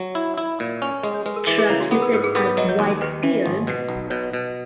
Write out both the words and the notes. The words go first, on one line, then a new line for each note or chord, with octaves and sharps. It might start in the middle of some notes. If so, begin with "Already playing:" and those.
Translated as "White Beard".
Already playing: F#3
E4
E4
A#2
C#4
G#3 D#5
C#5
G#3 B4
A#4
E3 G#4
G#4
C#3 E4
F#4
B3 G#4
A#4
G#2 A#4
G#4
B3 A#4
C#5
F#3 D#5
C#5
D#2
D#3 B4
E3
G#1
B2
B1
B2 C#5
B2